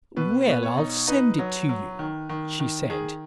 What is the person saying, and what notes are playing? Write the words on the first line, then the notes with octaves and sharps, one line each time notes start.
"Well, I'll send it to you," she said.
B2 B4
B2 B4
C#5
D#4
D#4 B4
F#3
F#3
D#3
D#3
D#3
D#3 G#4